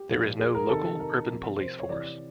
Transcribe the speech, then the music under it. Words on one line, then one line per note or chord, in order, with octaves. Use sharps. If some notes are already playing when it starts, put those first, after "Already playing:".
There is no local urban police force.
Already playing: G4
A#2 F3
G#4
A#4
C3 D#3 A4
A#4
C3 F3
C5
C#5
C3 E3 D5